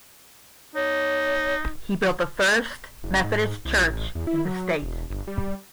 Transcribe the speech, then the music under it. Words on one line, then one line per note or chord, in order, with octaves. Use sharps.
He built the first Methodist church in the state.
D#4 C#5
F#1
G#2
C2
A1
E2
E4
F#3
E1
G1
G3